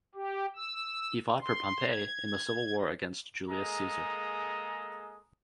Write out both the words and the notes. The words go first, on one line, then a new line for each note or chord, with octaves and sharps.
He fought for Pompey in the civil war against Julius Caesar.
G4
E6
C6
G#6
G#3 A#3 G#4 A4 A#5 D#6